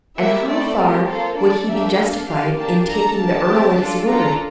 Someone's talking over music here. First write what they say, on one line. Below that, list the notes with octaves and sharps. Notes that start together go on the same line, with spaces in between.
And how far would he be justified in taking the earl at his word?
A#3 E4 G4 E5
A3 C4 E4 A4 D5
A3 C4 G4 A#4
A#3 F4 A4 C5
D4 A4 D5
A#3 D4 G4 E5
D4 A4 F5
D4 G4 F5
A#3 D4 G4 A5
D4 A4 A#5
A#3 D4 G4 A5
C4 G4
D4 F4 A4
A#3 D4 F4 A4 A#5